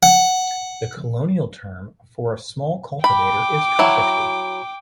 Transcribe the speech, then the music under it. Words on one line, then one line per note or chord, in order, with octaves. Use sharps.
The colonial term for a small cultivator is cockatoo.
F#5
G5 B5 D6
F#3 E4